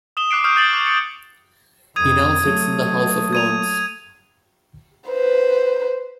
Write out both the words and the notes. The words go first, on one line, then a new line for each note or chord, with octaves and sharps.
He now sits in the House of Lords.
D#6 E7 G7
D6 F#6 C7 D7
C#6 D#6 F6 G6 D7
G6 A6 C7 D7 F#7
D6 F7
C#7
F2 C3 D#6 G#6 D#7
F#3 A3
G#6 D#7 F7
B4 C5